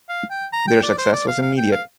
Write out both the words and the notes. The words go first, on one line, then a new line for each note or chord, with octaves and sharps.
Their success was immediate.
F5
G5
A#5
G5
D5
C5
D5
F5
F5
G5
F5